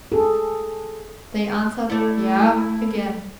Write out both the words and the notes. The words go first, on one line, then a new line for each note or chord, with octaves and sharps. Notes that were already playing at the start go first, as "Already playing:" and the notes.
They answered "yea" again.
G#4 A4
A3 E4 D5